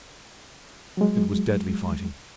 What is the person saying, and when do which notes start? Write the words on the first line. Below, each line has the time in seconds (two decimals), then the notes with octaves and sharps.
It was deadly fighting.
0.97 F#3 G#3